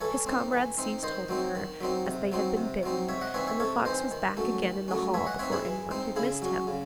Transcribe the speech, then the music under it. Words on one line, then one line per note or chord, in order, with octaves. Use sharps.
His comrades seized hold of her, as they had been bidden, and the fox was back again in the hall before anyone had missed him.
E3 A4 C#5
C4 D#4
E3
C4 D#4
D#3 C5 D#5
F#3 C4 D#4
D#3
F#3 C4 D#4
C3
F#3 C4 D#4
C3
F#3 C4 D#4
C3 C#5 E5
D#5 F#5
E3 C4 D#4 C#5 E5
C#5 E5
C3 A4 C#5
E3 C4 D#4 C5 D#5
D#3
F#3 A3 C#4
D#3
F#3 A3 C#4
E3 C#5 E5
D#5 F#5
C4 D#4 C#5 E5
E4 G#4
E3
C4 D#4
C#3 E4 G#4
F#3 C#4
C#3